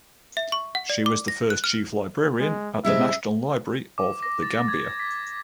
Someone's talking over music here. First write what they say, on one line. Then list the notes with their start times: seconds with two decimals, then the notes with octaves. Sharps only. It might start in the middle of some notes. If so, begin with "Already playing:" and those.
She was the first Chief Librarian at the National Library of The Gambia.
0.37 E5
0.52 C#6
0.75 F#5
0.90 D5
1.06 D6
1.28 A#6
1.50 F#6
1.64 F6
2.40 G#3
2.85 C3 G#3 E4 E5
3.98 D6
4.23 A#6
4.43 A6
4.68 G#6
5.00 B6